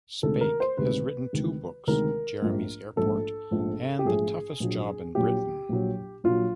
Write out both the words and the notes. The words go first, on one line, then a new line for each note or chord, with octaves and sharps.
Spake has written two books: "Jeremy's Airport" and "The Toughest Job in Britain".
D2 C3 D#3 G#3 A4
A#4
C5
D2 C3 D#3 G#3 B4
D2 C3 D#3 G#3
D2 C3 D#3 G#3 A#4
A#1 G#2 F3 A3
A#1 G#2 F3 A3 A4
A#1 G#2 F3 A3
G4
A#1 G#2 F3 A3 G#4
A#1 A#2 F#3
A#1 A#2 F#3 G4
A#1 A#2 F#3
A#1 A#2 F#3 F4